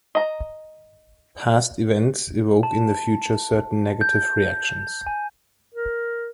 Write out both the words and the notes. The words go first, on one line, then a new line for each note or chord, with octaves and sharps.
Past events evoke in the future certain negative reactions.
D#5 A#5
A5
G6
G#5
A#4